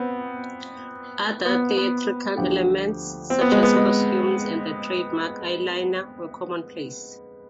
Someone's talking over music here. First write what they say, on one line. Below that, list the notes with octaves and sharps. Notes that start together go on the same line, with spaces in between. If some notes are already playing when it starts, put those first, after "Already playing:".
Other theatrical elements, such as costumes and the trademark eyeliner, were commonplace.
Already playing: B3 C4
B3
B3
D2 D3 F3 G4
C4
B3
G#3
B3
G#3